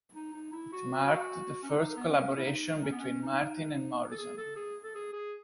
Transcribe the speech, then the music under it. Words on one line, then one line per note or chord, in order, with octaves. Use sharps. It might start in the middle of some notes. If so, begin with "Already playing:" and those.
It marked the first collaboration between Martin and Morrison.
D#4
D#4
E4
F#4
C#4
D#4
B3
C#4
E4
D#4
C#4
B3
C#4
D#4
A4
G#4
A4
G#4
A4
G#4
G#4